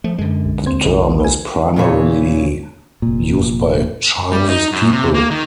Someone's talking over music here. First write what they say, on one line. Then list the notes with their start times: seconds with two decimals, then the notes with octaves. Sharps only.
The term is primarily used by Chinese people.
0.04 F3 A3
0.18 F#2 D3 G#3
0.45 B1
0.66 D#2 C4 C5
0.85 B1 C3 D#3
1.20 B4 G#5
1.76 A#2 C#3 E3 C#5
3.02 F1 A#2
4.32 G3
4.49 D#4
4.72 F#2
4.92 C3
5.14 A#3
5.31 D#3